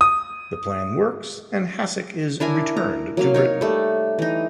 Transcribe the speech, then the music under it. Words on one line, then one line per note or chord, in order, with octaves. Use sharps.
The plan works, and Hasek is "returned" to Britain.
D#6
D4 E4 A#4 G#5
A#5
F#3 A#3 F5
D#4 C#5 F5
G3 A3
E3 D#4